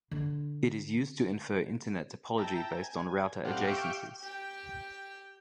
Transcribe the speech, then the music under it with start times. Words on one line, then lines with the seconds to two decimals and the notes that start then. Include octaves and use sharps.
It is used to infer Internet topology based on router adjacencies.
0.11 D3 D4
2.38 E5 G5 A5 A#5
2.77 G#5
3.45 A2 G3 C4 G4 F5 F#5
3.67 G4 E5 F5 G5 C#6 D6
4.21 G4 G5